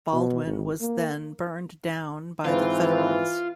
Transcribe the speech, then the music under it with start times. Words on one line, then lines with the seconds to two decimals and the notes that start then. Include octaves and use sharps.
Baldwin was then burned down by the Federals.
0.13 B2
0.46 G#1
0.81 A#3
2.45 G#2 E3 C4 F4 B4